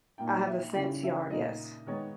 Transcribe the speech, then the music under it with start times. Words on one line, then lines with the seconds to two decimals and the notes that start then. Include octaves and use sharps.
I have a fence yard, yes.
0.18 A#2 A#3 D#4 G5
0.47 E5
0.74 C#3 G3 C#4 E4 G5
1.03 E5
1.30 A#2 A#3 D#4 D#5
1.87 D#3 G#3 B3 D#4 C#5